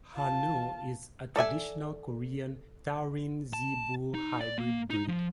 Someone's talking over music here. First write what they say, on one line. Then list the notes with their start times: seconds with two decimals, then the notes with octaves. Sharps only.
Han-u is a traditional Korean taurine-zebu hybrid breed.
0.14 F4 A5
1.36 A4 D5 E5 G#5
3.53 A5
4.14 D#4
4.41 D5
4.58 A#3
4.90 D#4
5.08 F3